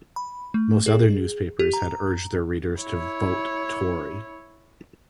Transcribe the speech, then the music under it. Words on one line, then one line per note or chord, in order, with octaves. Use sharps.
Most other newspapers had urged their readers to vote Tory.
B5
A3
G#4
G4
A#5
E4 C#5